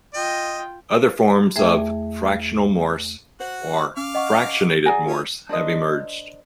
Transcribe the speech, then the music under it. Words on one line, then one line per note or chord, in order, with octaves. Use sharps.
Other forms of 'Fractional Morse' or 'Fractionated Morse' have emerged.
F4 D#5 G5
E2 A3 G#4 E5 G5
F#4 C5 F#5
C#4 F5 D6 F6
D#5 F#5 C#6
G#4 D5 F#5 G#5 A#5 A#6
C#4 F4
D4 A#4 C5 D#5